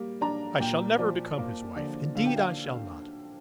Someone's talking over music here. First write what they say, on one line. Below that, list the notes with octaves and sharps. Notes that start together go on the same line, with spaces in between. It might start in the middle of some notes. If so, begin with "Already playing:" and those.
I shall never become his wife;--indeed I shall not.
Already playing: G3 A#3
D4 A#5
A#2 G5
F3 D5
A#3
D3 D5
D3 F5
G5
F5